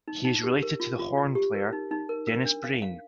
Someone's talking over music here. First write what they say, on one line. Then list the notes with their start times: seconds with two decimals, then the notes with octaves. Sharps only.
He is related to the horn player Dennis Brain.
0.08 D#4
0.25 D#4
0.44 G4
0.63 A#4
0.80 F4
0.99 F4
1.18 D5
1.35 G4
1.54 A#4
1.73 D#4
1.91 D#4
2.09 A#4
2.27 A#4
2.45 D4
2.64 F5
2.82 F5